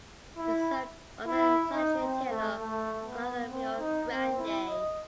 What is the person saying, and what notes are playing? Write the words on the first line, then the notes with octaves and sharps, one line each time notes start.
He served under Zachary Taylor along the Rio Grande.
E4
E4
D#4
C4
A3
A3
B3
C4
D#4
C4
E4
D#5